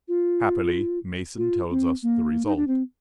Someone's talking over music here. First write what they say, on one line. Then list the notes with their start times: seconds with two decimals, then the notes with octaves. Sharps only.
Happily, Mason tells us the result.
0.08 F4
1.38 F4
1.70 C4
2.03 A#3
2.45 D#4
2.56 D4
2.67 C4